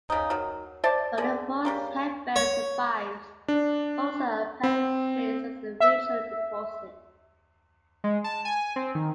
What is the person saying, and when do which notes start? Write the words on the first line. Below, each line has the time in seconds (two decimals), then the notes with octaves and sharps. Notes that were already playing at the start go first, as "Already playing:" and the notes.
Only the boar's head bell survives, also apparently placed as a ritual deposit.
0.10 C#3 D#4
0.30 D#3 F#3
0.84 C5 D5 E5 A5
1.18 D3 G#4 D5
1.65 C#3 G3 A#3
2.36 C#5
3.48 D4
4.63 C4
5.80 E5
8.04 G#3
8.24 A5
8.45 G#5
8.76 C4
8.95 D#3